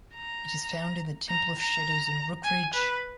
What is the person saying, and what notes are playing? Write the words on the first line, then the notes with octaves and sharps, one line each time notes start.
It is found in the Temple of Shadows in Rookridge.
A#5
A#5
A#5
G#5
B4